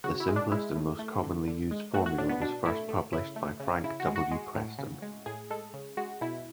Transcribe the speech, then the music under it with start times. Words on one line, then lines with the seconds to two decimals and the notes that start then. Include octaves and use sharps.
The simplest and most commonly used formula was first published by Frank W. Preston.
0.04 C#3 F#4
0.20 E4
0.28 G#3
0.36 D4
0.52 G#3 E4
0.75 A2
0.99 A3
1.24 D3
1.47 D3
1.71 G#3
1.94 A3 F#4
2.06 F#4
2.18 A2 D4
2.29 B3
2.41 B2 D4
2.65 A3 E4
2.89 A3
3.13 C#3 E4
3.36 A3
3.60 C#3
3.84 C#3 E4
4.00 F#4
4.07 G#3
4.16 F#4
4.31 G#3
4.55 A2
4.79 C#3
5.02 G#3
5.26 A2 G#4
5.50 G#3 A4
5.74 C#3
5.97 G#3 F#4
6.21 B2 E4